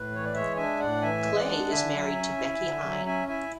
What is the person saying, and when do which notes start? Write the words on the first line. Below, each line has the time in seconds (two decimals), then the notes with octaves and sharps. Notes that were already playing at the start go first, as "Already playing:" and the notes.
Clay is married to Becki Hine.
Already playing: A2 B4
0.11 E3 C#5
0.24 D5
0.34 G#3 C#5 E5
0.56 D4 E5 G#5
0.80 A2 D5 F#5
1.02 E3 E5 G#5
1.24 G#3
1.36 D5 F#5
1.47 D4
1.69 D3 E5 G#5
1.92 F#3
2.15 C#4
2.37 E4
2.61 D3
2.83 F#3
3.05 C#4 E5 G#5
3.28 E4 E5 G#5